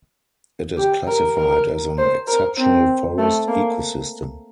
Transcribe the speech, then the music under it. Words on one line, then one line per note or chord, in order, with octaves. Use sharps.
It is classified as an exceptional forest ecosystem.
G4
A#4
A#4
C5
A#4
C4
A3
A#3